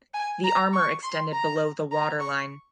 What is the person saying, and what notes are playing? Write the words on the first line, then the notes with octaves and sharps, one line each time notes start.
The armour extended below the waterline.
G#5
A#5
C#6
C6
A#5
A#5
C#6